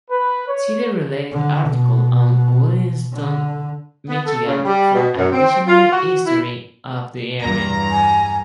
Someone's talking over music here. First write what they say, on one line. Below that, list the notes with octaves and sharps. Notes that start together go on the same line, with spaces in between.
See the related article on Williamston, Michigan for additional history of the area.
B4
C#5
D3
B2
D3
B3
A4
C#3
G3
B2
F#2
C4
F4
F#4
E4
E2 G2 A#5
G#5